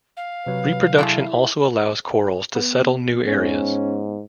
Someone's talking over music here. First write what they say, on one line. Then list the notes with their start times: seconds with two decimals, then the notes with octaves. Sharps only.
Reproduction also allows corals to settle new areas.
0.17 F5
0.46 C3 F#3 B4
0.98 G#3 A3 D4 E4
2.55 B3
3.27 G#2 C#4